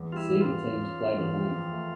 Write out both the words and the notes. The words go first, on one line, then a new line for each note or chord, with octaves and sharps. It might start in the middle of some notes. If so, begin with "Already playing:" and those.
Seeded teams played at home.
Already playing: E2
G3 F4
E4
E2
F4
E2
C#4
C#4
C#4
E2
F2
F2
A3